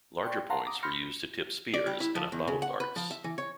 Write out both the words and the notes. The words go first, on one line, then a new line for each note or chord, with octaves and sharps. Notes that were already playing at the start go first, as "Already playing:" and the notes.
Larger points were used to tip spears and atlatl darts.
D5 G5 C6 C#6
F5 F#5 A5 A#5 C6
A#5 D6 D#6
B5 C6 F6 G6 A#6 C#7
D5
G3
E4
F3
E2
C#3
F#5
B4
F3
E5
E3
C#5